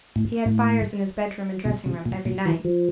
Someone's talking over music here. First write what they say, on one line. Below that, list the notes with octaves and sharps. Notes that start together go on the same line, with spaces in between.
He had fires in his bedroom and dressing-room every night.
A2
A2
B2
C3
A#2
A#2
E3
F3